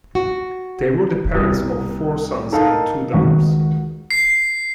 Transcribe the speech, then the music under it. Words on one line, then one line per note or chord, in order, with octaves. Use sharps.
They were the parents of four sons and two daughters.
F#4
C2 D#6
D#4 A4 A#4 F5
C#2 D#3 F#4 F#5
C7